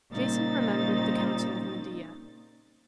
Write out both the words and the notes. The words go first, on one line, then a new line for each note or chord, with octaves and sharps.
Jason remembered the counsel of Medea.
A#2 C#3 G3 C4 D#4 A6